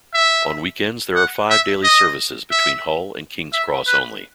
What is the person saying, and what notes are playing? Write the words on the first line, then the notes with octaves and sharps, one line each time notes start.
On weekends there are five daily services between Hull and King's Cross only.
E5
F#5
E5
D#5
E5
E5
B4